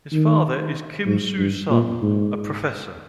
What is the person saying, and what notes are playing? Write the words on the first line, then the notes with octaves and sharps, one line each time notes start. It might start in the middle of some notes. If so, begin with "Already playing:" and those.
His father is Kim Soo-Sun, a professor.
D#3
G#2
G2
A#2
G#2